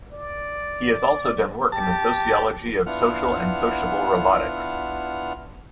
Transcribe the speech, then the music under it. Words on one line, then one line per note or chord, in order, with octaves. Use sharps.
He has also done work in the sociology of social and sociable robotics.
D5
G4 A5
B3 D4 E4 F4 F#5 F6